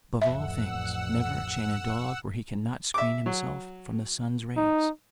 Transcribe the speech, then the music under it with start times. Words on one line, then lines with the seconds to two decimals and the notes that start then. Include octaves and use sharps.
Above all things, never chain a dog where he cannot screen himself from the sun's rays.
0.22 A1 F2 E5 F#5 E6
2.94 E5 D6
3.26 F#3
4.57 D#4